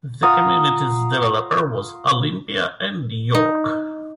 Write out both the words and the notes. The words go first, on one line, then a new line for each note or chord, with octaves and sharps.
The community's developer was Olympia and York.
F4 F#5 A#5 D#6
D#4